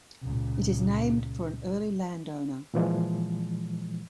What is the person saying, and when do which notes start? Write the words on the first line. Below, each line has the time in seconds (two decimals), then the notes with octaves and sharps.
It is named for an early landowner.
0.22 C#2 A#2
2.74 A#2 E3 F3 G#3